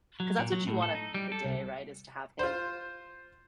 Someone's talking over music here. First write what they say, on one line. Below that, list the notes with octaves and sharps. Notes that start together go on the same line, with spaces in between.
'Cause that's what you want at the day, right? Is to have him
F#3
A#2
F#3
A2
A4
D#4
G3
A4
C2
F4 C5